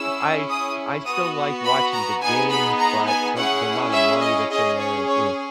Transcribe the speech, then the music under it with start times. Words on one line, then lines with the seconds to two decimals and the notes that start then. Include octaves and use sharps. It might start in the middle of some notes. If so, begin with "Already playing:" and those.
I I still like watching the game, but the the amount of money that's in there, ugh,
Already playing: C#4 E4 G#4 E6
0.50 D#6
1.06 B3 F#4 D#6
1.64 B5
1.93 A#5
2.21 B3 D#4 G#4 G#5
2.50 B5
2.79 A#5
3.07 G#5
3.36 C#4 E4 G#4 F#5
3.93 E5
4.22 D#5
4.50 C#4 G#4 D#5
4.78 C#5
5.08 C#5